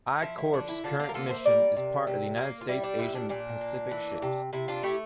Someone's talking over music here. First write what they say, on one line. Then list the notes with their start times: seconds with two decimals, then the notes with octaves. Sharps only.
I Corps' current mission is part of the United States' Asia-Pacific Shift.
0.22 F3 E4
0.38 E4
0.53 D3 D4
0.69 E4
0.84 D3 D4 F4
0.99 D4 F4
1.09 A#4
1.14 A#3 F4 A4
1.30 C5 E5
1.45 G3 A#4 D5
1.77 C3
2.07 C3
2.37 A#3
2.61 F4
2.68 G3 E4
2.84 D4
2.98 A#2 E4
3.15 D4
3.29 A#2 D4
3.61 A#3
3.91 E3
4.22 C3
4.53 C3 E4
4.68 D4 F4
4.83 A3 E4 G4